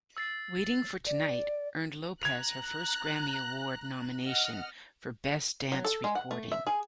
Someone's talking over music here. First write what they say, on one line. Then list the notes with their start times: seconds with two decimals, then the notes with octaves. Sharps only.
"Waiting for Tonight" earned Lopez her first Grammy Award nomination, for Best Dance Recording.
0.17 E6 A6 C7
1.07 D5
2.23 A#5 F#6 G#6 F7
4.24 D#5 F#5 F6
5.72 F#3
5.85 A4
6.04 G#3
6.15 F#5
6.31 A3
6.52 E5
6.67 G#4